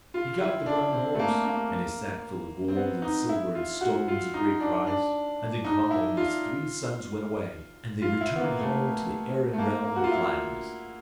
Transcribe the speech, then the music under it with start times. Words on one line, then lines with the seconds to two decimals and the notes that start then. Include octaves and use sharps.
He got the brown horse and his sack full of gold and silver and stones of great price, and then Conall and his three sons went away, and they returned home to the Erin realm of gladness.
0.14 F4
0.41 E4
0.66 D4
0.92 C4
1.15 A3
1.19 A#3
1.45 A#3
2.68 C4
2.76 B3
3.02 D#4
3.29 E4
3.55 F4
3.81 F#4
4.08 F4
4.34 D#4
4.60 D4
4.87 D4
5.65 D#4
5.91 E4
6.17 F4
8.02 F4
8.21 E4
8.36 B3
8.41 A#3
8.60 A3
9.53 A3
9.58 A#3
9.84 A#3
9.96 F#4
10.04 F4
10.11 E4